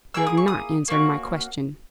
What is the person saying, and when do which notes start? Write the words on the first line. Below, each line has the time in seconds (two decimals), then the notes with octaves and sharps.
You have not answered my question.
0.14 A#3 E4 G#4 E6
0.27 D#6
0.37 C#6
0.48 D#6
0.88 A#3 C#4 F#4